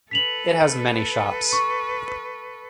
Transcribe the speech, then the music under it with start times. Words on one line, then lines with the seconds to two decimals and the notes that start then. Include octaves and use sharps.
It has many shops.
0.11 A4 B4 B6 F7 F#7
1.53 C#6